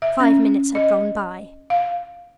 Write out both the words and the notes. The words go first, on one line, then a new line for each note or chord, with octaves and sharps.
Five minutes had gone by.
E5
C#4
D#5
F5